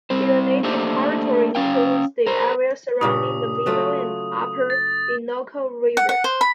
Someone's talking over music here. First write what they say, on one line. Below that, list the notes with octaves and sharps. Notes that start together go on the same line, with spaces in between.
Their native territory includes the area surrounding the middle and upper Innoko River.
G3 C4 C5
A3 A#3 D4 G4 C5 D#5
C#4 F5 G5
A#4 C5
G2 A#2 C#3 D#6
F#3 A3 F4
A6
F#5
F#5
C5
B5